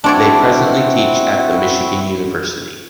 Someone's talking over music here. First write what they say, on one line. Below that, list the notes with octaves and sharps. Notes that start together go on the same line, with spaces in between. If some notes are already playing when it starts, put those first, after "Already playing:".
They presently teach at the Michigan University.
C4 D4 E4 F#4 C#5 D5